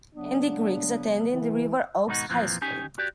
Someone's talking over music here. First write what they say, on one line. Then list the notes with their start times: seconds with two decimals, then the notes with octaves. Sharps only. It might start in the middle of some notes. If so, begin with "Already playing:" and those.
Andy Griggs attended River Oaks High School.
0.15 C#3 F#3 B3 D4
1.32 E3
2.07 G#2 B2 D#3 D#4 F#4
2.30 F2 A#2 E3 F3
2.62 C#4 D#4 G4 G#5
2.98 F#4 G4 D5